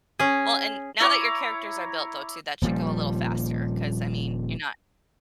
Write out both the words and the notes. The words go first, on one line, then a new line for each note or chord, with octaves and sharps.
Well, and, now that your characters are built though too, that should go a little faster 'cause, I mean, you're not
C#4 G#4
E4 C#5 A#5 D6
D#1 A#2 F3 G3